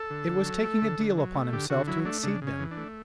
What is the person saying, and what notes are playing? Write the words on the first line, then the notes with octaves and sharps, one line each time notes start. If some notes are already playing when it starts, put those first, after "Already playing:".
It was taking a deal upon himself to exceed them.
Already playing: A4
D3
D3
F#3
A3
D3
D3
F#3
A3
D3 G4
D3 F#4
F#3 E4
A3 D4
C#3 D4
C#3
C#4
E3
D4
A3